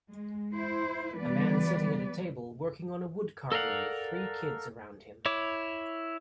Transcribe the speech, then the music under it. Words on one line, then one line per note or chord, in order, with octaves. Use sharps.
A man sitting at a table working on a wood carving with three kids around him.
G#3
E4 C5
E3 G3 B3 B4 D5
A4 A#4 D5 F5 F#5
E4 C#5 D6